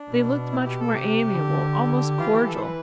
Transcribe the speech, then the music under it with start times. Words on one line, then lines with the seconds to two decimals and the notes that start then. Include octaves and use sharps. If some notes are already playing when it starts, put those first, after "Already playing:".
They looked much more amiable, almost cordial.
Already playing: D4
0.09 B2
0.52 E4
0.66 G4
0.79 A4
0.94 C3 G4
1.36 D3
2.19 E3 F4
2.33 G4
2.46 A4
2.57 C5
2.61 B4